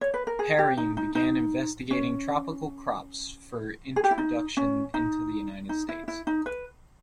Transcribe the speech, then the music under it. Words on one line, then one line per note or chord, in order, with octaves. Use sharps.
Perrine began investigating tropical crops for introduction into the United States.
C#5
B4
A#4
G#4
G4
D#4
D#4
D#4
C#4
G#4
G4
E4
D#4
C#4
D#4
D#4
E4
E4
D#4
B4